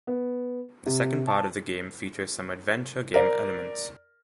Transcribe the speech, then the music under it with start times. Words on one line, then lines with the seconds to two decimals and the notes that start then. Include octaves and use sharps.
The second part of the game features some adventure game elements.
0.07 B3
0.86 C3
1.27 A5
3.14 A#4 D5